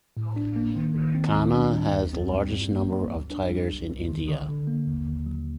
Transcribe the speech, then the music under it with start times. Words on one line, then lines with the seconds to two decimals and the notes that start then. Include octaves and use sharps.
Kanha has the largest number of tigers in India.
0.17 A2
0.36 D4
0.56 A#3
0.76 D#3
0.95 D#3
1.15 C4
1.34 D2
1.54 D4
1.74 G3
1.93 D#2
2.13 C4
2.33 G3
2.52 G2
2.71 A#3
2.91 F#3
3.11 D2
3.30 D4
3.50 G3
3.70 C2
3.90 C2
4.09 D#3
4.29 D3
4.49 D3
4.67 A#3
4.87 D#2
5.07 D#2
5.26 F#3